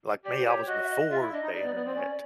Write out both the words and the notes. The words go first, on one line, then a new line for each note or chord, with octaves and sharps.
like me, I was before the internet,
G4 D5
C5
G4 C#5
F#4 D#5
E5
D#5
F4 E5
E4
D4 D#5
D#4
D5
B3
B3
C4
C#4